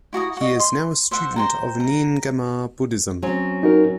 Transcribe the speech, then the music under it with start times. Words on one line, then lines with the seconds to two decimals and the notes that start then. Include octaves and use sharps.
He is now a student of Nyingma Buddhism.
0.13 E4 F#4 A#5 D#6
0.37 F#4 D#5
0.60 C6
1.11 C5 E5 F#5
1.36 C5 G5 A#5
1.80 A#5
3.22 F#3 C4 C#4
3.63 D#4 F#4 A#4